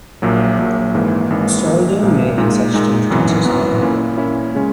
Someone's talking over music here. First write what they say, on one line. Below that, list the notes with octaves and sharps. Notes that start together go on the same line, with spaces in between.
Solder may in such instances be employed.
A#1 A#2 F#3
A#1 A#2 F#3
G#1 G#2 E3 A#3
G#1 G#2 E3 A#3
A#1 A#2 A#3
A#1 A#2 A#3
A#2 G#3 D#4
A#2 G#3 D#4
G#1 F#2 E3 B3
G#1 F#2 E3 B3
A#2 A#3 C#4 E4
A#2 A#3 C#4 E4
C#3 G#3 C#4